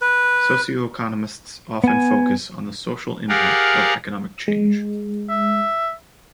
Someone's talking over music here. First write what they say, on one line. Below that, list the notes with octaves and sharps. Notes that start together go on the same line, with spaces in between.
Socioeconomists often focus on the social impact of economic change.
B4
B3 G#5
G4 G#4 A#4 D5 F5 F#5
G#3
E5